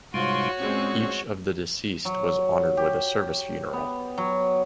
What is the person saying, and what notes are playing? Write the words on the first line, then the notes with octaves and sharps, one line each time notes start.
Each of the deceased was honoured with a Service funeral.
G#2 C3 G3 G#3 F4 F#4 C#5 C6
A#2 G#3 C4 C#4
F#3
G4
B3
F#3